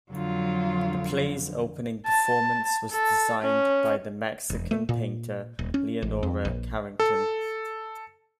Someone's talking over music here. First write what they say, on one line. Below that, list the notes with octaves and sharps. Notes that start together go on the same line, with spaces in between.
The play's opening performance was designed by the Mexican painter Leonora Carrington.
F2 D3 F#3 F4
A5
A4
C#4
E1
A3
A#2
D#1
C#4
A1
F2
A#1
A4